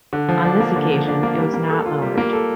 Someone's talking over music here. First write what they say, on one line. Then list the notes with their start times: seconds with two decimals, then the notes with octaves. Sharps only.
On this occasion it was not lowered.
0.13 D3
0.28 F3
0.45 D4
0.60 A#3
0.76 D3
0.92 F3
1.08 D4
1.23 A#3
1.38 G3
1.54 A#3
1.70 A4
1.86 F4
2.02 G3
2.18 A#3
2.33 A4